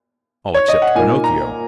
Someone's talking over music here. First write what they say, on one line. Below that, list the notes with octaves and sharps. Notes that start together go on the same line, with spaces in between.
All except Pinocchio.
C#5
D#5
F#5
A#2 A#3 D#4 G#5
A#5